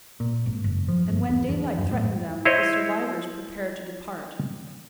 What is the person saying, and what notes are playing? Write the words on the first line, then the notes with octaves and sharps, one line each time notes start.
And when daylight threatened them the survivors prepared to depart.
A#2
G#1
F#1
F3
G1
E2
E2
E2
F#2
A2
E4 C5 C#5 D#5